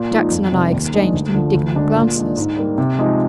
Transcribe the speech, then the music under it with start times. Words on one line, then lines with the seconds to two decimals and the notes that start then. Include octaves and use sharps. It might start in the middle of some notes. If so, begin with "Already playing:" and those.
Jackson and I exchanged indignant glances.
Already playing: A#2
0.11 F3 G#3 D#4
0.31 F2
0.52 C3 D#3 G3
0.72 D#2
0.93 D#3 G#3 D4
1.14 D2
1.34 D3 F3
1.55 D2
1.75 D3 G#3 D4
1.95 A#2
2.16 G#3 D4
2.37 G#2
2.57 G3 A#3
2.78 C3
2.99 F3 G#3 D#4